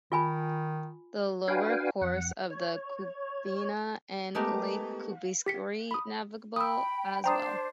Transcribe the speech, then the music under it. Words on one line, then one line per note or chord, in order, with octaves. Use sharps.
The lower course of the Kubena and Lake Kubenskoyeare navigable as well.
D#3 F4 G#5 B5
D4 F#4 B4 F5 G5 G#5
F2 F#5
C#5
G#3 A3 B3 G4 A#4
G4 B6 C#7
B5 D#6
G5 B5 D#6 E6
D4 C5 G5 A#5 D#6